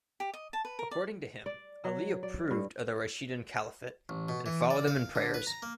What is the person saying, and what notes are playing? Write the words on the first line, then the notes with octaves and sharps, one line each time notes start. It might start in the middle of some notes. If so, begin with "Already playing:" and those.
According to him Ali approved of the Rashidun Caliphate and followed them in prayers.
G4
D#5
A5
B4
A#4
D5
D5
F#3
D5
G2
A1
B2
E3
D5
F5
D3
B4
A#5
A#3